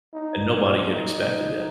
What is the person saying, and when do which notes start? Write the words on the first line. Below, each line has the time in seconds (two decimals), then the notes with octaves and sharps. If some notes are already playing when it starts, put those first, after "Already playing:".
and nobody had expected that.
0.14 D#4
0.92 D#4